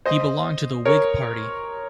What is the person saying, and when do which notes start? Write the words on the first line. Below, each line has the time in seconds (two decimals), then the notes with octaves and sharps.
He belonged to the Whig party.
0.06 C5 D#5
0.85 A#4 C#5